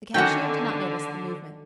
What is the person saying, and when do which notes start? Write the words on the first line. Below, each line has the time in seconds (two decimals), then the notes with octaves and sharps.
The cashier did not notice the movement.
0.14 D3 D#3 F#3 C#4 F#5 G5